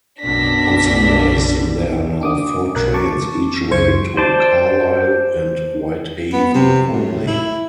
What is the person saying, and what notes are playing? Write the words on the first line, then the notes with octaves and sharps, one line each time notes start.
On Sundays there are now four trains each way to Carlisle and Whitehaven only.
B1 F#2 B2 D4 A#6 B6
D4 D6 D#6
B1 A#4 F#6
A5 C#6 D6
C#2 F#2 C5 C#6 G#6 C#7
C5 D5 A5
B3
C3
A2
E4